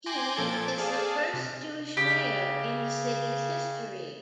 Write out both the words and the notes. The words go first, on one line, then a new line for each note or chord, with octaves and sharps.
He is the first Jewish mayor in the city's history.
G5 G#5 C6 D6 A#6
A#2 F3 A4 G#6 A6 D7
G#4 A4 D5 F5 A5
C3
C#3 G4